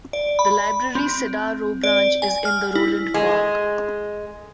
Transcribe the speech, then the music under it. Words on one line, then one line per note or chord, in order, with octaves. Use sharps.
The library's Cedar Roe branch is in Roeland Park.
D5
B5
C4
D5
G#5
F6
E4
G#3